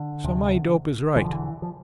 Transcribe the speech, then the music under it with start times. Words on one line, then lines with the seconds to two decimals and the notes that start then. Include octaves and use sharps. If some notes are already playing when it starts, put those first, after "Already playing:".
So my dope is right.
Already playing: D3
0.24 D2 C3
1.16 E1 E2 D3 E3
1.24 F3
1.32 E3
1.62 F3